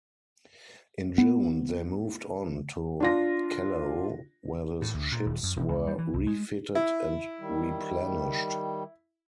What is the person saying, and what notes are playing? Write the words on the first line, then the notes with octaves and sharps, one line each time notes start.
In June, they moved on to Callao, where the ships were refitted and replenished.
B3
D4 F4 A#6
A2
D2
A#2
D#1
F#2
E1
C#2
G3
E3
C2
G#3
E4
D#3 G3